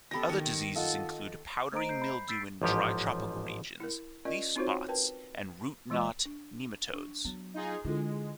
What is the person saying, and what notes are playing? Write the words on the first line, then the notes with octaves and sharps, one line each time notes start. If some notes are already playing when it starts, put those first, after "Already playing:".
Other diseases include powdery mildew in dry tropical regions, leaf spots, and root-knot nematodes.
B3 G4 A4 B5 A#6
D#3 C#7
F4 A4 D#5 F#5
A3 C5 D#5 A#5 D7
G6 C7
B5
E6 G6 A6 B6 C7 D7
A1 G#2 F3 G4
E4 A#4
C#4 F4 A#4 D5 D#5
C4 D#4 F4 F#4 C5 C#5
A#4 B4 G5 A5
E3 G#3 F4 D#5 C#6
D4
D4
F#3 B3
D#4 F4 G#4
D3 G#3 E4 F4 A4